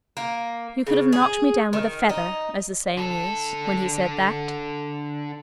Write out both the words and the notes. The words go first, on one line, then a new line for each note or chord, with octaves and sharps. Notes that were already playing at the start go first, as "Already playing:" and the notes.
You could have knocked me down with a feather, as the saying is, when he said that.
A#3
C#3
G#4
D#3
D#4
D3 A4